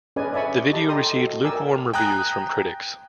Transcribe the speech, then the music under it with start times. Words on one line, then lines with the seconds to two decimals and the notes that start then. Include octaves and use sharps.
The video received lukewarm reviews from critics.
0.16 C#4 G#4 B4 D5 D#5 G#5
0.33 D5 E5 G#5 B5 C#6
0.71 G4 D#5 A5 B5
0.88 A4 G5 A#5 C6 D#6
1.12 F#4 A4 D#5
1.44 A#4 D5 G5 G#5 D6 E6
1.94 G5 G#5 A#5 D#6 F#6